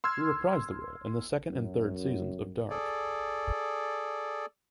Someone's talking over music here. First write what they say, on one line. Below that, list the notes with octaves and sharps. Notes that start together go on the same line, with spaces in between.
She reprised the role in the second and third seasons of "Dark".
C6 E6 F6 G#6
F#2
G#4 A4 D5